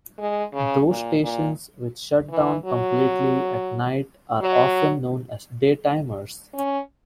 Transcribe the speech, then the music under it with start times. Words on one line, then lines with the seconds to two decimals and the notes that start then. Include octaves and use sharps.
Those stations which shut down completely at night are often known as "daytimers".
0.18 G#3
0.53 C#3
0.88 A#2
1.23 A#2
2.30 E3
2.65 F#3
4.41 F#3
6.53 C#4